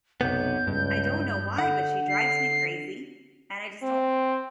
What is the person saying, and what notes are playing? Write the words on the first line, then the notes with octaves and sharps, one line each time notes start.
I don't know why, but she drives me crazy, and I just don't
B1 F#2 C3 B3 G6
C#2 G2
D3 F#5
D3 C7
C4